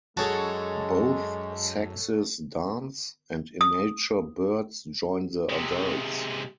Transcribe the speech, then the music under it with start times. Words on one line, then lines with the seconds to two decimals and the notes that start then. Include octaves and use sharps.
Both sexes dance, and immature birds join the adults.
0.17 F#2 G#3 F#4 G#4 A4 C#5 A5
3.61 D#6
5.50 C3 G#3